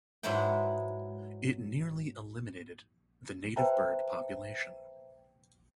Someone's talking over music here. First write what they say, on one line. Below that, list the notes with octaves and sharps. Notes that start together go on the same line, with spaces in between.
It nearly eliminated the native bird population.
G#2 F#3 G#3 E4 B4 G5
B4 C5 E5 G5 A5 A#5